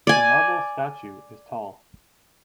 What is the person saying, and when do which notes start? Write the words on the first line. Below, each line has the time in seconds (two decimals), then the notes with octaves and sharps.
The marble statue is tall.
0.07 D5 G#5